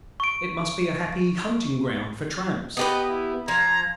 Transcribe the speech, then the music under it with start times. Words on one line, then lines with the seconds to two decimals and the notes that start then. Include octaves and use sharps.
"It must be a happy hunting ground for tramps?"
0.20 C#6 D7
2.77 B3 G4 B4 D#5
3.08 E4
3.48 F3 A#5 G#6